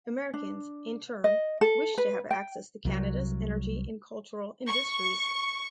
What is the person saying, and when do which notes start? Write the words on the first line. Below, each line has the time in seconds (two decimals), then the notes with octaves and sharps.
Americans, in turn, wished to have access to Canada's energy and cultural industries.
0.34 D4
1.24 D#5
1.61 A4
1.98 B4
2.31 G5
2.85 C2 F#3
4.68 C#6